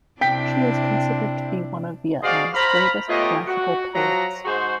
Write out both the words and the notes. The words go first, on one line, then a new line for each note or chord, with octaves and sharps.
She is considered to be one of Vietnam's greatest classical poets.
C3 D4 E4 G5 B6
F#4 G#4 C5 D5 D#5 F5
C5 F5 A#5 B5
A3 B3 F4 G4 C#5 D#5
F#4
F3 F#3 F#4 A#5
G#2 F#4 G#4 C5